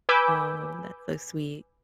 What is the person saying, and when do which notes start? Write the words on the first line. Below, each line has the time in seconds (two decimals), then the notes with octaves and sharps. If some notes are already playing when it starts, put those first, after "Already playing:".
Oh, that's so sweet.
0.09 B4 G#5 B5 D6 E6 G6